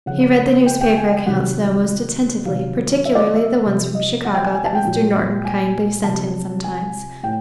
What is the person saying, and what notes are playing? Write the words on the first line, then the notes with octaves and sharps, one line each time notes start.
He read the newspaper accounts, though, most attentively, particularly the ones from Chicago that Mr. Norton kindly sent him sometimes.
C#3 F3 F#5
G5
G5
G#5
G5
C3 D#3 F#3 F#5
C3 D#3 F#3 F5
E5
D5
D#5
E5
C3 F3
D#5
F#5
G5
G#5
G#5
A5
G5
A#2 F#3
G#5
C3 F3 A5
G#5
A2 G5